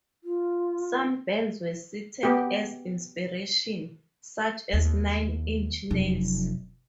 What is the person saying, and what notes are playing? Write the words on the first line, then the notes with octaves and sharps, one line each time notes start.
Some bands were cited as inspiration, such as Nine Inch Nails.
F4
B3 G4
D#2
F1 F#2